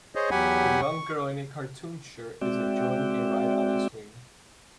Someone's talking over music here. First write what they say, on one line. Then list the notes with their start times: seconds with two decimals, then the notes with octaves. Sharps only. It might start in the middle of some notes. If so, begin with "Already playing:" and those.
The young girl in a cartoon shirt is enjoying a ride on a swing.
0.15 G#4 C5 C#5 D#5
0.31 E2 F#3 G4 F#5 G#5 B5
0.81 C#6
2.41 G#3 C4 F#4 D5 E5 G5